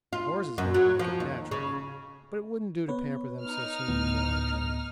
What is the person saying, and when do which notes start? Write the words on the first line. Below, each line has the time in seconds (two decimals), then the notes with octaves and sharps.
The horses don't like it, naturally, but it wouldn't do to pamper them so soon before our journey.
0.13 F4
0.58 F#2
0.74 F#3
0.99 F3
1.20 D#2
1.51 C#3
2.88 B3 B4 C#5
3.43 D#4 F6
3.88 D2 A2 B3